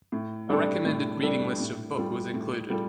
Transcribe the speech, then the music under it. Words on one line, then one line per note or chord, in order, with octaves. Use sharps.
A recommended reading list of book was included.
A2
G3 D4 A4
A2
G3 D4 A4
A2
G3 F4 A4
A2
G3 F4 A4